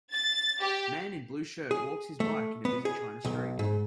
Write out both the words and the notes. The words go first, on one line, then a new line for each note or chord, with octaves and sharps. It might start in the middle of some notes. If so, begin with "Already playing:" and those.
Man in blue shirt walks his bike in busy China street.
A6
G4
G#4
A3
B3
G#4
B1
G#2